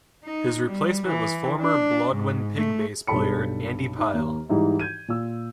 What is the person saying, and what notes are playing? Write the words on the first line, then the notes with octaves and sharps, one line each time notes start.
His replacement was former Blodwyn Pig bass player Andy Pyle.
D#4
G3
E3
D4
G#2
A3
B1 G2 A4 A5 B5 C#7
D#4 E5
D#2 A#3
G#2 E3 G3 D#4 E4
G6 G#6 D#7
A#2 F4 E6